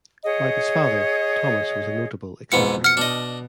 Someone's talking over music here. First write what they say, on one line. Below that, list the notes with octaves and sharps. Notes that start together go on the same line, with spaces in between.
Like his father, Thomas was a notable eccentric.
G#4 C#5 D#5 F#5
F2 G#2 B2 E3 B3 F5 C#7
F#5 F6 C#7
B2 D4 D#5